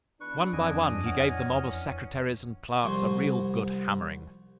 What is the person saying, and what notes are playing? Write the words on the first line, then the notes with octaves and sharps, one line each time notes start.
One by one, he gave the mob of secretaries and clerks a real good hammering.
E2 D4 B4 C#6
F2 D#5 G#5
E2 E3 C#4 D4 F#5 F6
C2 F3 F#4 F#5 G#5 C6